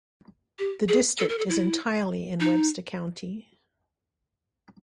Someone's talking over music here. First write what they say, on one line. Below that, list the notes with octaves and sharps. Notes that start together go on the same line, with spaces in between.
The district is entirely in Webster County.
G4
G#4
A4
A#4
A4
E4
D#4